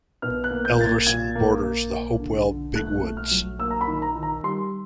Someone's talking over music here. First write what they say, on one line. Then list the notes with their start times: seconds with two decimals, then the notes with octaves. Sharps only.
Elverson borders the Hopewell Big Woods.
0.22 B2 F6
0.44 F#6
0.51 A#3
0.65 G6
0.79 A#3 A6
0.86 G#6
1.07 A#2 G#6
1.35 A#3
1.63 A#3
1.91 A#3
2.19 D3
2.47 D3
2.75 A3 F#6
3.03 A3
3.17 F6
3.31 F#3
3.59 A#3 E6
3.70 A#5
3.81 B5
3.88 D#3
4.02 A#5
4.16 D#3
4.23 A#5
4.44 G3 C6